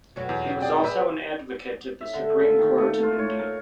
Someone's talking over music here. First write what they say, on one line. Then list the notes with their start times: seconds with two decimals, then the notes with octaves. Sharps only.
He was also an advocate at the Supreme Court of India.
0.16 F2 B2 F#3
0.29 E2
0.61 G#4 D5 G5
0.83 B3 B4 E5
2.01 E5
2.13 D3
2.40 A#2
2.59 D#3
2.78 A3
3.03 F4
3.19 C#5
3.39 A#4